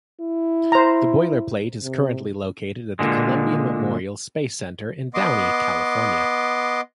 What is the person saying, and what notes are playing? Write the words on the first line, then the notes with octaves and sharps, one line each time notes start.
The boilerplate is currently located at the Columbia Memorial Space Center in Downey, California.
E4
C5 A#5
C3
A#2 D3 G#3
B3 D#5 C6 D6